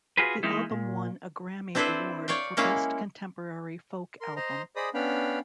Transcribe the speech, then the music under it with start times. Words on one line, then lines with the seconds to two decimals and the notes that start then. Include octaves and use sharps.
The album won a Grammy Award for Best Contemporary Folk Album.
0.17 F4 F#4 G#4 B4
0.43 E3 G#3 A#3 D#4 E4
0.70 A#2
1.75 C4 D4 E4 A4 B4 C5
2.28 C#5 D5 F5 G5
2.57 G#3 A#3 C#4 E4 F5
4.21 A#4 C6
4.36 C5 D#5 A#5 C6
4.76 G#4 C5 D5 D#5 B5 D#6
4.94 B3 C#4 D4 F5 G5 B5